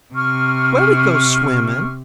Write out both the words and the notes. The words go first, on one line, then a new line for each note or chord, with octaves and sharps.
"Where we go swimmin'?"
C3 C#6 F6